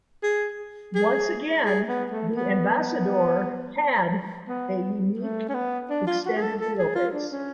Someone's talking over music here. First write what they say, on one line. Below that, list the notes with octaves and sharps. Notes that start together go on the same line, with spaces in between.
Once again the Ambassador had a unique, extended wheelbase.
G#4
G#4
G#4
B3
A3
B3
B3
A3
C#4
B3
D4
F4
F#4
G#4
A4
A4
G#4
F4
D4
C#4